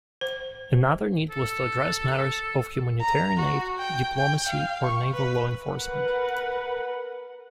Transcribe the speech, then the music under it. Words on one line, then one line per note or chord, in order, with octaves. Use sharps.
Another need was to address matters of humanitarian aid, diplomacy, or naval law enforcement.
C5
A4
A#5
F#4
G5
G5
F5
C#6
B4
A#4 B4 F#5